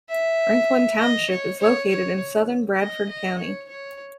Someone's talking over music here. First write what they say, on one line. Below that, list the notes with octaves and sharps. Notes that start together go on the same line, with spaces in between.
Franklin Township is located in southern Bradford County.
E5
D#5
C#5
C#5
C#5
D#5
D#5
C#5
C#5